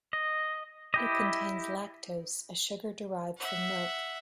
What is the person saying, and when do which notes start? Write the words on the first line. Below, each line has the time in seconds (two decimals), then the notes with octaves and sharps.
It contains lactose, a sugar derived from milk.
0.13 D#5
0.94 E4 G4 D#5
3.37 E5 F#5